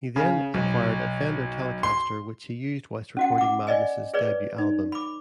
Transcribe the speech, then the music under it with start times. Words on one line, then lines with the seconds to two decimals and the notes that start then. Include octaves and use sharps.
He then acquired a Fender Telecaster which he used whilst recording Madness' debut album.
0.16 C#3
0.54 B1
1.83 C6
3.17 C#4 F#4 F#5
3.38 F#5 D6
3.67 D5 D#5 G#5
4.14 G#4 B4 C#5 D5
4.58 D#4
4.92 B5 D6